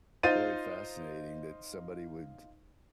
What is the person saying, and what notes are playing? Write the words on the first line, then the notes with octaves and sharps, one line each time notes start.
very fascinating that somebody would,
D#4 F4 C5 A6 D#7